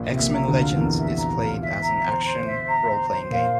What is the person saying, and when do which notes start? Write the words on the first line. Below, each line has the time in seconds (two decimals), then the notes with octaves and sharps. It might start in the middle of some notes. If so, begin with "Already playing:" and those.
"X-Men Legends" is played as an action role-playing game.
Already playing: A#1 A#2
0.12 C3 E5
0.19 A#1 A#2
0.34 A#5
0.48 D2 D3
0.56 F4
0.76 E2 E3 A#4
0.97 E5
1.19 A#5
1.40 F4
1.61 E5
1.82 A#5
2.04 C5
2.24 C5
2.46 E5
2.67 A#5
2.88 C5
3.10 C5
3.31 A#2 A#3 F5